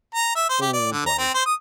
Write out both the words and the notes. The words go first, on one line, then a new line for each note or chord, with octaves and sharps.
old, like,
A#5
E5
C5
G4
D5
D3
A#5
C4
C5
D#6